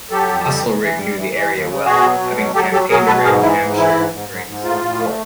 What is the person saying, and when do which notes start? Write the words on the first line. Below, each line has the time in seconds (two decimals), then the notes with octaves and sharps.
Haselrig knew the area well having campaigned around Hampshire during the civil war.
0.11 F#3 G4 A4
0.29 F2
0.46 G3
0.63 E3
0.80 E3
0.98 G3
1.16 E3
1.33 E3
1.50 D#2
1.68 C#3
1.85 B2 F#4 G#4
2.02 F#3
2.20 B2
2.37 F#3
2.54 F#3 G4 A4
2.72 F#3 G4 A4
2.89 F#3 G#4 A#4
3.07 B2 A4 B4
3.24 G#2 G#4 A#4
3.42 E3 E4
3.59 G#2
3.77 E3 E4
3.94 G#2
4.12 G#2
4.29 G#2
4.46 G#2
4.64 A2 F4
4.81 A2
4.99 A3